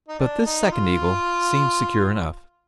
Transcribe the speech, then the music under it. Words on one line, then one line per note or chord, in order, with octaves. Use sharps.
But this second eagle seemed secure enough.
D#4
D4
D#4
F4